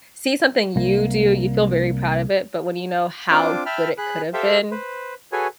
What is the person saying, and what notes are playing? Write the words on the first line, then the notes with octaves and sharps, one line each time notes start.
see something you do, you feel very proud of it, but when you know how good it could've been,
C2 A#3
C4 D4 F4 D6
E5 G5 A5 B5 F6
G#4 B5 F#6
G4 A4 C5 E5 F5 G5
B4 C5
F#4 G#4 A4 B4 C#5 G#5